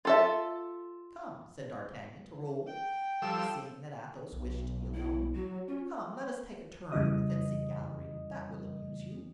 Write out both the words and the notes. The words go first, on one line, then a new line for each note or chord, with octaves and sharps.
"Come," said D'Artagnan to Raoul, seeing that Athos wished to be alone, "come, let us take a turn in the fencing gallery; that will amuse you."
F4 A4 E5
G5
F3 G3 A4 E6
B1
E4
F#3 F#4
C#4 F4
F2 C#3 E3 G3 D#5 D#6